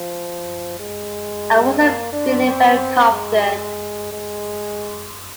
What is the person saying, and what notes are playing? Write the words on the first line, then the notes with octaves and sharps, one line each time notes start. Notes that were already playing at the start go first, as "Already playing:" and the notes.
I wasn’t feeling very confident.
Already playing: F3
G#3
A#3
D4
C4
G#3
G#3